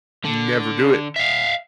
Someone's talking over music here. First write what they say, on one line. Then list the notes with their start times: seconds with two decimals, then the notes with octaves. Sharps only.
never do it.
0.25 D3
1.16 E5 F5